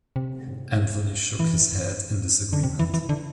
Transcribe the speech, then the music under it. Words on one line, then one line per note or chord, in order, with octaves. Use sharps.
Anthony shook his head in disagreement.
C3
E3
D3
C3
E3
E3
D3